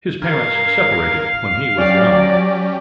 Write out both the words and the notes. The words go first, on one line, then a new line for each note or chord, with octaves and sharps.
His parents separated when he was young.
G2 A#4 F5 G#6
F#3 C#4 G4 D5